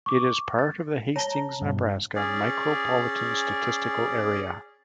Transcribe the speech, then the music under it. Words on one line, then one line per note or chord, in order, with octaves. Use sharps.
It is part of the Hastings, Nebraska Micropolitan Statistical Area.
C#6 D6
A6
C#5 A5 A#5 G7
G2 B2
C#4 G#4 D5